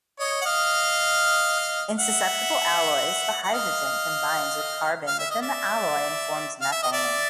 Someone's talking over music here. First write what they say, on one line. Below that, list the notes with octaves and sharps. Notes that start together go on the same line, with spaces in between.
In susceptible alloys, the hydrogen combines with carbon within the alloy and forms methane.
C#5 D#5
F#5
D#5 F5
E5 F#5
F#5
D#5 F5
F5
E5
D#5
D5 E5
F5
E5
D#5
D5 E5